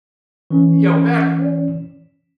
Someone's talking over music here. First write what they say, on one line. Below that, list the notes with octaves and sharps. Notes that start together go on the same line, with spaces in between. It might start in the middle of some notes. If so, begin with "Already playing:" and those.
you know, fast forward
E3 C#4